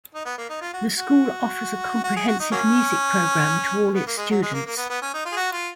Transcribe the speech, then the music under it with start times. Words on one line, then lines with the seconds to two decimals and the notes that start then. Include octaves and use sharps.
The school offers a comprehensive music program to all its students.
0.15 D#4
0.25 B3
0.38 A#3
0.49 D#4
0.61 F4
0.73 F#4
0.97 F#4
2.04 F#4
2.16 G#4
2.28 F#4
2.40 D#4
2.52 F#3 A#3 C#4
3.95 B3
4.07 A#3
4.18 G#3
4.31 F#3
4.43 G#3
4.54 A#3
4.66 A#3
4.77 B3
4.90 B3
5.02 C#4
5.14 D#4
5.25 F4
5.32 G#4
5.37 F#4
5.52 F4